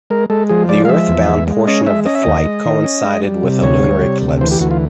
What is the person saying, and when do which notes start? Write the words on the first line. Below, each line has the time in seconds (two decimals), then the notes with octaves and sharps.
The Earth bound portion of the flight coincided with a lunar eclipse.
0.10 G#3 A#4
0.30 G#3 A4
0.49 F3 G#4
0.69 G#3 D5
0.85 F5
0.89 F3 E5
1.09 E2
1.28 G#3
1.47 G#3
1.67 C#4 D#5
1.86 G#3 E5
2.06 C#4 D#5
2.15 E5
2.23 D#2 D#5
2.45 G#3
2.65 D#3
2.84 C#4
3.04 G#3
3.24 G3
3.43 C3
3.62 D2 C#5
3.83 G3
4.02 C3
4.22 D2
4.41 E3 C5
4.51 G4
4.60 D2 F#4
4.71 F4